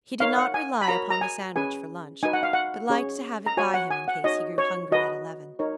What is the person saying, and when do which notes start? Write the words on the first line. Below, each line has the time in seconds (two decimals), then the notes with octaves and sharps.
He did not rely upon the sandwich for lunch, but liked to have it by him in case he grew hungry at eleven.
0.20 D#4 A#4 C#5 F5
0.38 F#5
0.54 G#5
0.81 B5
0.88 F#4 A#4 C#5 A#5
1.10 A#5
1.21 G#5
1.56 C#4 G#4 B4 G#5
2.23 D#4 F#4 B4 G#5
2.33 F#5
2.43 F5
2.53 F#5
2.89 C#4 G#4 C#5
3.46 A#5
3.57 F#4 C#5 G#5
3.74 F#5
3.91 G#5
4.08 F#5
4.24 D#4 F#4 C#5 D#5
4.58 C#5
4.92 F#4 B4 D#5
5.59 D#4 A#4 C#5